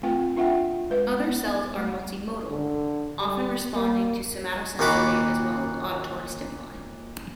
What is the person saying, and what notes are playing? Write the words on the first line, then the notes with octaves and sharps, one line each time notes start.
Other cells are multi modal, often responding to somatosensory as well as auditory stimuli.
A3 C4 F4 F5 G5
D4 F4 E5 F#5 G5
G#3 B4 F5
B3
A3
D3
G3
A#3
D#2 A#2 D#3 F#4 B5 D6